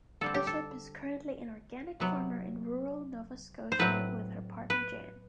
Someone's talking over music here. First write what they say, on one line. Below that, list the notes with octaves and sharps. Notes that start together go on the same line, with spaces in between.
Bishop is currently an organic farmer in rural Nova Scotia with her partner Jan.
D3 G3 C4 A4
G4
A4
C3 F#3 B3
C5
A2 F#3 C4 B4
B4